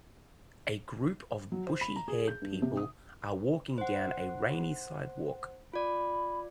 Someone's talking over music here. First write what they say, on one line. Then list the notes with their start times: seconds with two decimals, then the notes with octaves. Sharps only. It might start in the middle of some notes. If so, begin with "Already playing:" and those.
A group of bushy haired people are walking down a rainy sidewalk.
1.52 F#3
1.67 C5
1.81 B5
1.96 A#5
2.08 G#4
2.28 G6
2.42 G2
2.62 C3
2.77 D#6
3.78 C5 F#5
5.74 F4 D5 B5